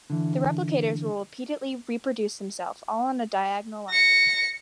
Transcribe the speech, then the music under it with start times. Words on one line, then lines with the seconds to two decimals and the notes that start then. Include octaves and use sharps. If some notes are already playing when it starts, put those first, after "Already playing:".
The replicators will repeatedly reproduce themselves, all on a diagonal line.
0.10 D3 E3
3.90 A#6 C#7